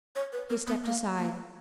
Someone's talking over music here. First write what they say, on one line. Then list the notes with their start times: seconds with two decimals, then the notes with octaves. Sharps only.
He stepped aside.
0.16 C#5
0.33 B4
0.50 A#4
0.67 B3
0.85 A#3
1.18 A#3